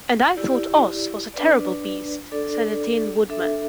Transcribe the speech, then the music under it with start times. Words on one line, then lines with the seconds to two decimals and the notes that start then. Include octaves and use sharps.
"And I thought Oz was a terrible Beast," said the Tin Woodman.
0.36 E4 G4 D5
1.34 D4 B4 D5
2.32 D4 A4 D5
3.29 D4 A4 E5